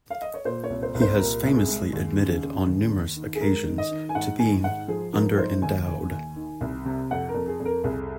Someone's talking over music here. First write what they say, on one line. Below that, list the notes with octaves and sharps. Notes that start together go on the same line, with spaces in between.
He has famously admitted on numerous occasions to being "underendowed".
F5
D#5
C#5
A#2 C5
C#5
C2
C5
C2
C5
A#2 A#4
C2
G#4
G#3
D#2
C#3
C#3
D#2
D#2
D#3
G#4
G#3 A#4
D#3
D#5
D#3
G#5
G#2 F#5
D#3 G#5
G#2 F#5
F3 G#4
F3 A#4
G#2 C5
D#2 G#5
D#2
D#2
D#3
C2
C3
F2 F#5
A#4
F2
G#4
F2
A#4
C2 G#4